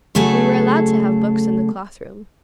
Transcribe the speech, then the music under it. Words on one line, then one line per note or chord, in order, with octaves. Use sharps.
We were allowed to have books in the cloth-room.
C#3 F#3 A3 G#4 A4